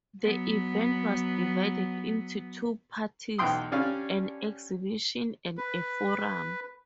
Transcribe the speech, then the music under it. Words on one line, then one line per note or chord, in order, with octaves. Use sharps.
The event was divided into two parts: an Exhibition and a Forum.
F#3 B3
B1 E2 G5 C6 D#6
D3 G3 C#4 D5 F5
B4